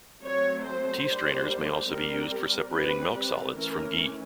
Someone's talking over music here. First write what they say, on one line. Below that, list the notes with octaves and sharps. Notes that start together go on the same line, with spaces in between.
Tea strainers may also be used for separating milk solids from ghee.
F#3 A3 C4 C#5
C5
G3 A#3 D4
G3 C4 A#4
A#4
G3 C4 B4
B4
E3 A3 C#4 A#4